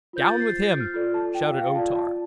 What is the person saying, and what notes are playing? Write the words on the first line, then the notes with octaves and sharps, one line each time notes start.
"Down with him!" shouted O-Tar.
F4 C5 G6
A6
C7
A6
G6
F6
F4 A4 D5
A5
G5
F5
F5
F4 D5 A5
A5